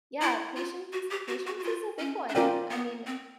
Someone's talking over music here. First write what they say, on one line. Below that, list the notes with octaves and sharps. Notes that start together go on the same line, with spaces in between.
Yeah, patience patience is a big one. I mean,
E4
F4
F#4
G4
F#4
F#4
F#4
F4
C#4
D4
C#4 F4 A#4 D5 G5
B3
C4